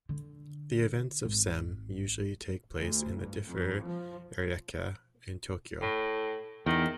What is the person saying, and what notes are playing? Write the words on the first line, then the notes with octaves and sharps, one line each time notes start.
The events of Sem usually take place in the Differ Ariake in Tokyo.
D3
G#1
D2
G2
F2
F3
A2
E2 D#3